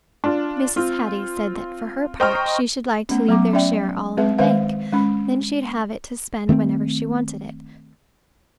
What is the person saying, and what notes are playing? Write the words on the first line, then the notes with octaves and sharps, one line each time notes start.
Mrs. Hattie said that, for her part, she should like to leave their share all in the bank: then she'd have it to spend whenever she wanted it.
D4 F4
C4 F4
C5 D#5 G5 A#5 C#6 F6
A3 B3 C#4
F#3 A3 B3 D6
C#4 D5 E5 G5
G#3 C4 G#4 B4 E5
D#3 G#3 B4 E5 F5
G#3 C#4 B5
D#3 A3 B3 C4